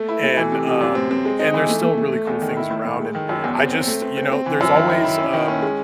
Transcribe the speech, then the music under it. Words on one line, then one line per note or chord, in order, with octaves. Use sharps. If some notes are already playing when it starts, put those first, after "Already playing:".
And, um, and there's still really cool things around, and I just you know, there's always, um,
Already playing: A3
E4
A3
E3
C3
C3
F#2
C4
C4
G#3
D#4
E3
A3
A3
A3
A3
E2
D#3
E4
A2
A2
G#3
D#3
F#2
E2
C4
C4
A3
C4
C4
C4
E3
F#2
D#3
E4
E4
C#4
D#3
C#4
G#3